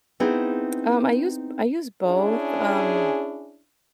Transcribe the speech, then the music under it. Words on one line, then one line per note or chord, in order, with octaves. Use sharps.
Um, I use b I use both, um,
B3 C4 D#4 E4 G#4
C#4 D4 E4 G#4